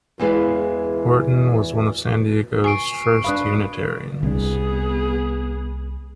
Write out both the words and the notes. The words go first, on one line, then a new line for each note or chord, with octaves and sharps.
Horton was one of San Diego's first Unitarians.
E2 E3 G#3 B4 F5
G#5 C#6 C7 D7
D4 B4 F5 B5 D#6 F#6
C2 B3 D4 G#4